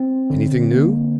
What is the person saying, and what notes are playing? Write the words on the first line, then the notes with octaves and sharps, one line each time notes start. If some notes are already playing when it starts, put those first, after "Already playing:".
"Anything new?"
Already playing: C4
D3
A#3